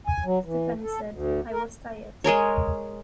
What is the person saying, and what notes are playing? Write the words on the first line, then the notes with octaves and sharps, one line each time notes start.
Stefani said, I was tired.
G#5
F#3
E3
A4
D2
A#4
G#3 G#4 A#4 C#5